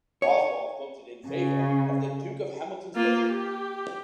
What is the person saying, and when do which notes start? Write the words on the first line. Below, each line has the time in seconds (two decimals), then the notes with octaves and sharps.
Oswald voted in favour of the Duke of Hamilton’s motion.
0.22 C#5
1.28 C#3
2.95 A#3 F4
3.26 G4